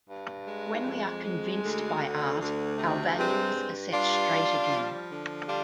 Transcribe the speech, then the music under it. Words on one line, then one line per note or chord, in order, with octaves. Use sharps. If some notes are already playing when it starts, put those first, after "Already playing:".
When we are convinced by Art our values are set straight again.
G2
G#3
F2
G#3
D2
D3
D2
C3
G2 G#3 C4
G2
G3 D4 F4
G3
F3
D3
G3 D4 F4